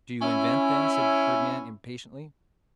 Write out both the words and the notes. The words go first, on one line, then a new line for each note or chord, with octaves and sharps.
"Do you invent, then," said Fernand impatiently.
C#4 E4